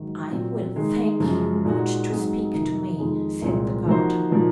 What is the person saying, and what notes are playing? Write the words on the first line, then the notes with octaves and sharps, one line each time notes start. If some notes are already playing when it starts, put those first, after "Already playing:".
"I will thank you not to speak to me," said the garter.
Already playing: G#2 D#3 F#3
A#2 F#3 C4
D#3 G#3 D#4
F#2 C#3 F3 G#3
A#2 G#3 D#4 F#4
G#2 F#3 C4 D#4 G#4
F2 C3 D#3 A#3 D#4
F2 D#3 G#3 D#4
C2 A#2 G#3 C4
F3 A#3 D#4 F#4 C5
A#2 F3 A#3 D#4 F#4